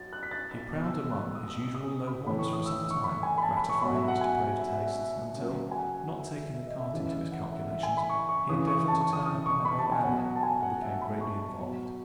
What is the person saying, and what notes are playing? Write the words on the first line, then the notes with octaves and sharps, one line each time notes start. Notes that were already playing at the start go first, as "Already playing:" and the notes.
He prowled among his usual low haunts for some time, gratifying his depraved tastes, until, not taking the cart into his calculations, he endeavoured to turn up a narrow alley, and became greatly involved.
Already playing: F#3 A6
F#6
B6
A6
A6
B2 F#3
E6
F#6
E6
D#6
E6
D#6
D#6
B5
A2 E3 B5
C#6
D#6
E6
C#6
B5
G#5
B5
A5
B5
C#6
B2 F#3 B5
E5
F#5
G#5
F#5
E5
E5
E5
C#3 F#3
G#5
F#5
E5
E5
D#5
E5
C#3 E3 E5
E5
F#5
E5
E5
G#5
B5
C#6
C#6
C#3 E3 D#6
C#6
A5
C#6
D#6
D#6
C#6
B5
A5
G#5
B2 F#3 F#5
A5
G#5
F#5
E5
B5
C#6
B2 F#3